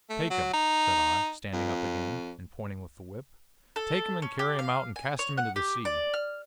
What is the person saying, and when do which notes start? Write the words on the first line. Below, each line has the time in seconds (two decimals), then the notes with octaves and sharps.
"Take him," said I, standing up again and pointing with the whip; "take him, and carry him out and cast him into the sea."
0.10 A3
0.30 F#3
0.53 D#4
1.53 F2
3.76 A4
4.22 C#4
4.39 G4
4.59 F5
4.96 G#5
5.19 C#5
5.37 F#5
5.56 G4
5.85 D5
6.14 F6